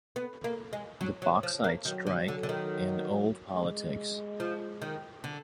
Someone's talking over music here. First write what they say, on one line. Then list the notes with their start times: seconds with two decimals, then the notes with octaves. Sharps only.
"The Bauxite Strike and Old Politics".
0.16 B3
0.44 A#3
0.73 G#3
1.01 F#3
1.22 F#3
1.43 F3
1.64 A#3
1.85 D#3 F#3
2.07 D3
2.28 D3
2.43 D3
2.49 D#3
3.55 G#3
4.40 F3
4.82 D#3
5.24 D3